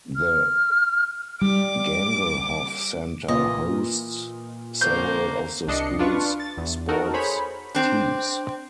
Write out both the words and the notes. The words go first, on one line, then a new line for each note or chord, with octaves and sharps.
The Gangelhoff Center hosts several of the school's sports teams.
F6
G3 D6
A#2 E3 A#3 F4 D#5
D3 A#3 C4 C5 C#5 G6
C2 D4 D#5 C7 C#7
D4 F4 B4 C#6
A6
E2
D#4 F#4 A4 A#4
G#4 C5 C#5 B5
C4 D4